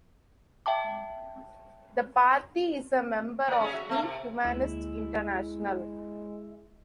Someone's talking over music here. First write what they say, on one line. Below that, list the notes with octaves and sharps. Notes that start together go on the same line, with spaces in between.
The party is a member of the Humanist International.
E5 G5 A5 D6
A#3 D5
C#4 G#4
F#4 E5
A3 A#3
C3
D2 G#3 A#3 E4